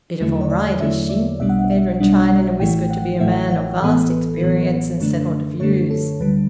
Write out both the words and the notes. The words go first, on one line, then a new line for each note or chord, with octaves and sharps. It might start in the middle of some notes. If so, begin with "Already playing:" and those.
"Bit of all right, is she?" Edwin tried in a whisper to be a man of vast experience and settled views.
E2 D3 F#3 A3 E4
C#5
D5
E2 D3 F#3 A3 E4 E5
D5
B1 B2 G3 D4 E5
F#5
E5
E5
B1 B2 G3 D4
A1 A2 E3 A3 E4 G5
F#5
A1 A2 E3 A3 E4 E5
C#5
A1 A2 E3 B3 A4
B4
A1 A2 E3 B3
F#2 D3 A3 D4
F#2 D3 A3 D4 C#5
A4
D2 D3 G3 B4